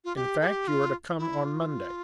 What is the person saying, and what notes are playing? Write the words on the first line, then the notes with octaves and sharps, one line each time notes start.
In fact, you are to come on Monday.
F4
G4
A4
G4
F4
E4
F4